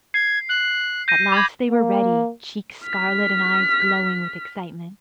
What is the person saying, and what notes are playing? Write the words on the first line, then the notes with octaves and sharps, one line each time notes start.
At last they were ready, cheeks scarlet and eyes glowing with excitement.
G#6 C7
F#6
G6 A#6 D#7
B5 D6 G#6
A#3
F6 B6